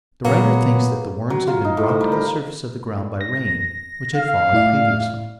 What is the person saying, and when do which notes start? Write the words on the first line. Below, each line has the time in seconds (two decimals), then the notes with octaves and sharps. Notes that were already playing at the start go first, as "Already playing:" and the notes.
The writer thinks that the worms had been brought to the surface of the ground by rain, which had fallen previously.
0.25 A#2 F#3 A#3 B3 C#5
1.30 F#3
1.47 F4
1.65 D#4
1.77 A2
1.89 C5
2.01 G3
2.12 A#4
3.21 A#6
4.15 F5
4.53 A2 E4 D5